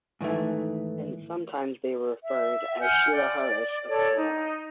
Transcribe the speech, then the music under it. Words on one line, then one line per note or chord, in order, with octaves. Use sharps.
Hence sometimes they are referred as 'Shilaharas of Karad'.
G#2 D#3 E3 A3
E5
F#5 G#5 F6 G6
D5
A4 C#5 D5
D#4